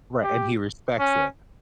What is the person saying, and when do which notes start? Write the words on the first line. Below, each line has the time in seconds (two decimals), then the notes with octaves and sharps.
Right, and he respects it.
0.23 G4
0.99 C#4